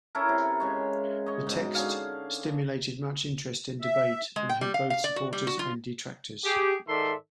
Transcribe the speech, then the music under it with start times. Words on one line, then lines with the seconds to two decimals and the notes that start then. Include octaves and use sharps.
The text stimulated much interest and debate, and had both supporters and detractors.
0.15 C#4 E4 A4 A#4
0.29 C3
0.60 C#3 G#3 C#5
1.26 C#5 D#5
1.47 G#2 B2
1.75 D3 C#4 G#4 F5
3.81 E5
4.36 G#3
4.49 G5
4.61 G3
4.74 F5
4.90 F5
5.04 D5
5.16 F#4
5.33 G3
5.47 F#4
5.59 F4
6.44 G4 G#4
6.88 G#2 D#3 A4 D5 E5 C6